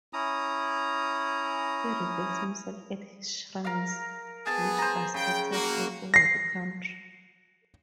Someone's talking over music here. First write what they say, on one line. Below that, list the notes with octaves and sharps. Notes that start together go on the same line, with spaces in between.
He reveals himself at his shrines which are scattered all over the country.
C#4 E4 A#5 D#6
A#4 F5
B3 G#4 A5
C5 A#5
C#3 G5
A#3 F#4
A#6 C7